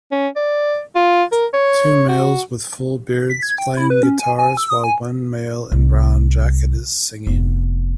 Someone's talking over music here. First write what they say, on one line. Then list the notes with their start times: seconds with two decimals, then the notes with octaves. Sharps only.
Two males with full beards playing guitars while one male in brown jacket is singing.
0.11 C#4
0.36 D5
0.95 F4
1.32 A#4
1.54 C#5
2.08 F#4
3.30 B6
3.43 G#6
3.58 G5
3.77 E4
3.90 B4
4.03 C#4
4.19 G#5
4.38 G#5
4.57 E6
4.70 D#6
4.84 G#5
5.72 C2
7.27 F1 B3